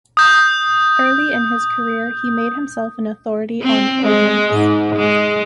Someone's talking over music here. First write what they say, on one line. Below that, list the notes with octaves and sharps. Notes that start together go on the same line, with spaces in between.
Early in his career he made himself an authority on ordnance.
D#6 G6
C4
G#3
G#2
G#3